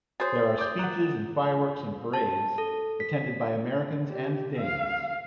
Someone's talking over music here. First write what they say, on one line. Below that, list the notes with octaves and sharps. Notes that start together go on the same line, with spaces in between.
There are speeches and fireworks and parades, attended by Americans and Danes.
F#4 G#4 C5 C#5 D#6 A6
D6 G6
F#5 A#5 F#6
A5
A4
B6
G4
F5